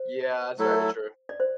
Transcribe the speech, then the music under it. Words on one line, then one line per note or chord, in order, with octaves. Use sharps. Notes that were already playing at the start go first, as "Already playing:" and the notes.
Yeah, that's very true.
Already playing: C5
F#3 A3 E4 A4
D5
C5